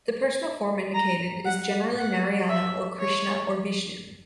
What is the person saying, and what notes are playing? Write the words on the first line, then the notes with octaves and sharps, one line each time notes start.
The personal form indicated is generally Narayana, or Krishna, or Vishnu.
A#5
F#5
F#5
E5
C#5